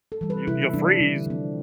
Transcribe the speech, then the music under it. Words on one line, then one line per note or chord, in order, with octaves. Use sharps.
you’ll you'll freeze.
A4
E3 G3
B4
C3 E4
E3 G3 D4
D3
F3 C4